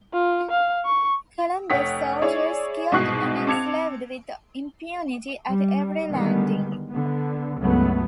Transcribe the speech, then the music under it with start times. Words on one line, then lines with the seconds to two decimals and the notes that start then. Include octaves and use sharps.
Columbus's soldiers killed and enslaved with impunity at every landing.
0.13 F4
0.51 F5
0.85 C#6
1.70 F1 C#5 F#5 G5 D#6 B6
2.22 E4 G#4 C#5 D5
2.92 C2 G#2 B2 C#6 F#6 C7
3.47 C4 A5 D6 G#6 C#7 F7
5.48 G3
6.11 D3 D#3 G3 G#3 B3
6.90 D3 B3
7.59 C#2 G2 F#3 A3 B3